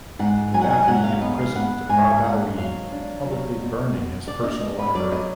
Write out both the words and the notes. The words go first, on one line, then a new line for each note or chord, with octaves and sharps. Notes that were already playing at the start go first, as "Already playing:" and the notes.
Gaddafi imprisoned Badawi, publicly burning his personal library.
G#2 F#5
F#3 G#5
F#5
G#5
G#2 F#5
F5
B3 D#5
F5
B3 F#5
G#2 G#5
G#2 F#5
F#3 F5
D4
F#3
B2
B2
D4 D5
D#5
D4 D#5
B4
F#3 D5
D#5